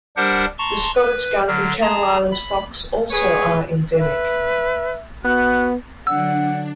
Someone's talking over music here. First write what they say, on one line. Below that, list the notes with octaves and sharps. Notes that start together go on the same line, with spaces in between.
The spotted skunk and Channel Islands fox also are endemic.
G3 D4 G4 A#4 C5 F#5
A5 A#5 C6 C#6
B4
D3 F#3 F6
G#4 A5 A#5
B5
G#4 B4 C#5
B4 E5
B3 F#4 F#6
D3 F#3 D4 F#5 E6